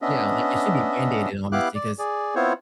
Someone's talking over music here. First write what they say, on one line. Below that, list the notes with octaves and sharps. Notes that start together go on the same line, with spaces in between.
Yeah, like, it should be mandated honestly, 'cause
B3 C#4 D4 D#5 E5
B3 E4 G4 F5 D6 F#6
D5
G#4 D5
B3 C4 E4 F4 C5 C#5